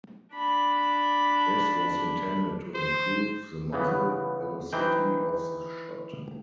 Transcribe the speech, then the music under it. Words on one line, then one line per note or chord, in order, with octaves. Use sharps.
This was intended to improve the muzzle velocity of the shot.
D4 B5
C5
C#3 E3 B3
E3 D#4 C5 G5